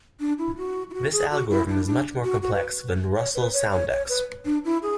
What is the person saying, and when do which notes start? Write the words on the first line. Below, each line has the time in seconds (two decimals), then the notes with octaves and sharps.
This algorithm is much more complex than Russell Soundex.
0.20 D4
0.38 E4
0.57 F#4
0.90 E4
0.94 F#4
1.12 G#4
1.31 F#4
1.50 E4
1.68 D4
1.87 D4
2.24 F#4
2.42 F#4
2.54 B4
3.16 C#5
3.35 B4
3.54 C#5
3.72 C#5
3.90 C#5
4.09 B4
4.45 D4
4.65 E4
4.83 G#4